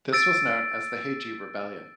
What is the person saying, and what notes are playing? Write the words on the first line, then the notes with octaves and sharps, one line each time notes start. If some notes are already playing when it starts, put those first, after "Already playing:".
This was known as the Heiji Rebellion.
E6 A6 D7